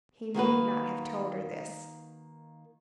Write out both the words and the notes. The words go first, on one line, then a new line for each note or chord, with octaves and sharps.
He need not have told her this.
D#3 A#3 F#4 B4